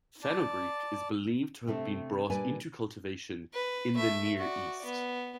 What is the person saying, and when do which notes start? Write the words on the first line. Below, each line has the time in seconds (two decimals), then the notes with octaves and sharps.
Fenugreek is believed to have been brought into cultivation in the Near East.
0.23 D5 A5
1.67 C3 A3 C4 D4
2.30 A#2 G3 D4 B4 D5 G#5
3.53 B4
3.95 A3 E5
4.37 F#4 D5
4.84 B3